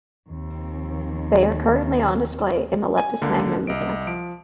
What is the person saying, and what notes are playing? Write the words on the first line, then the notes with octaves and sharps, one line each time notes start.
They are currently on display in the Leptis Magna Museum.
D#2 F3 C4
G#5
C#2 D3 A#3
C2 D#5 D7
F3 D7